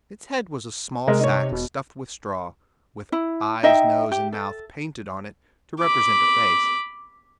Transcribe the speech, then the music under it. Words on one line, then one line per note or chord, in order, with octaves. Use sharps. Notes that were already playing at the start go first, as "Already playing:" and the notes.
Its head was a small sack stuffed with straw, with eyes, nose, and mouth painted on it to represent a face.
C3 G#3 A#4
D#4 C#5
E1 B2
E4
D#4 D#5 E5 G5
G4
A4
B5 D6